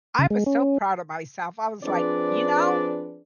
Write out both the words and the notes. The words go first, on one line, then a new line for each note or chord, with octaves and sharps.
I was so proud of myself. I was like, "You know,
C#3
G#3
C#4
F3 C4 D4 G#4 B4 D5